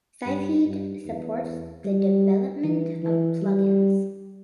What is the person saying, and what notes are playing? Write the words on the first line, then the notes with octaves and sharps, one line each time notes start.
Sylpheed supports the development of plug-ins.
G2
G2
E2
G3
E3
E3
G3